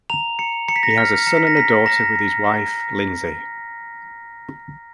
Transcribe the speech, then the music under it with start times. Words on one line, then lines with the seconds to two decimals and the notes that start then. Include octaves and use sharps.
He has a son and a daughter with his wife, Lindsay.
0.10 A#5 F7
0.39 A#5 C#7
0.68 A#5 C#7
0.76 B6
0.83 A#6
0.91 B6
0.98 F6
1.27 A#5 C#7
1.37 B6
1.47 A#6
1.56 A#5 B6
1.86 A#5 A#6
2.16 A#5
2.44 A#5